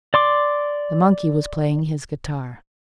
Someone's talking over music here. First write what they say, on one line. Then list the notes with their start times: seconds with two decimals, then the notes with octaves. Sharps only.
The monkey was playing his guitar.
0.14 D5 C6 D6